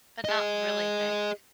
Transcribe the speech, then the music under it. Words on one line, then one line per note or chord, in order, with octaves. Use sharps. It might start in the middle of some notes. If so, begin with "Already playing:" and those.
but not really thick.
G#4 D#5